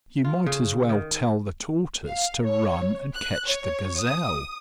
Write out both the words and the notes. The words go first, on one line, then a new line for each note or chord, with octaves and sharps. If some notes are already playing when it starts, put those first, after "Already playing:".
You might as well tell the Tortoise to run and catch the Gazelle.
F4
C#3
D#3
F5
C#5
F#6
C#5
D#6